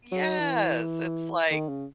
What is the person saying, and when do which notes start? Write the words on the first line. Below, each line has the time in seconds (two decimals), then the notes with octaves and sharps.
Yes, it's like
0.12 F#3
0.39 E3
1.51 D#3
1.69 C#3